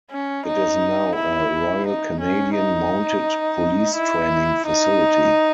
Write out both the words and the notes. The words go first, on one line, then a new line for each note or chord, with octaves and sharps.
It is now a Royal Canadian Mounted Police training facility.
C#4
D#4
E4
D#4
C#4
D#4
E4
D#4